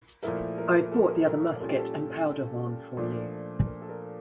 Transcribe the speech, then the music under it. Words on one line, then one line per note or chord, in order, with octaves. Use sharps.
I've brought the other musket and powder-horn for you.
A#2 F3 A3 E4 A#4
A#4
A4
A#4
A#2 G3 C#4 F4 A4
G4
A4
A#2 F3 A3 D4
A#4
A4
A#4